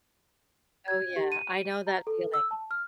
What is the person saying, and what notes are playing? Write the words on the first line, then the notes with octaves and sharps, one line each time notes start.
Oh, yeah, I know that feeling,
G#6
G4
D#7
A#5
A4
E6
A5
F6